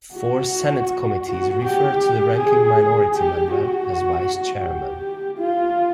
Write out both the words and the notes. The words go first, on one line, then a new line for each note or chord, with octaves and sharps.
Four Senate committees refer to the ranking minority member as Vice Chairman.
F#4
F#4
G4
G#4
G4
F#4
G4
F4